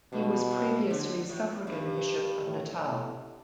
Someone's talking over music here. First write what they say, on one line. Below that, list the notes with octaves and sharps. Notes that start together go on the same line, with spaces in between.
He was previously Suffragan Bishop of Natal.
G2 B2
A2
D3
A2
G2
A2
A2